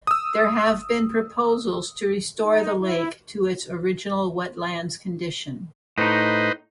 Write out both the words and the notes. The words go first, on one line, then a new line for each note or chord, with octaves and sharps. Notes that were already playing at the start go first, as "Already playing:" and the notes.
There have been proposals to restore the lake to its original wetlands condition.
D#6 E6
D#4
E4
A2 D#4 B4 C5 D#5